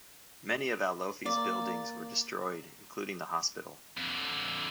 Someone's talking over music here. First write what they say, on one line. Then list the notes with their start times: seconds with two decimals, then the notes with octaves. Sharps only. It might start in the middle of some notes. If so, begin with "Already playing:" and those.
Many of Alofi's buildings were destroyed, including the hospital.
1.26 A#3 D5
3.97 F2 D3